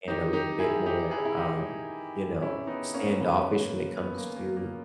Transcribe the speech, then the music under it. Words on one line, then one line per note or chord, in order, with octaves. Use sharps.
and a little bit more, um, you know, standoffish when it comes to,
E2 D#3 D#4 G4
D#4 G4
E4 G#4
D#4 G4
E4 G#4
E4
D#4 G4
C#4 E4
B3 D#4
A#3 C#4
D#2 C#3 E3 B3
C#4
B3
A#3
B3
A#3
A#3
A#3